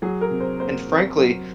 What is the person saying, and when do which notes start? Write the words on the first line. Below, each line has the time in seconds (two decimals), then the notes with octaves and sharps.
and frankly,
0.02 F#3 G#4
0.21 A#4
0.31 C3
0.40 C5
0.60 A#3 C5
0.89 C3
1.18 F#3